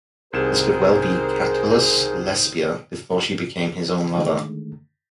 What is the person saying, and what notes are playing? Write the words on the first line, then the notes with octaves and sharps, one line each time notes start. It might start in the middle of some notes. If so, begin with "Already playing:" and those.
This could well be Catullus' Lesbia before she became his own lover.
C2 D#3 D#4 G#4 A#4 C5 E7
D3 D#3 G#3 A3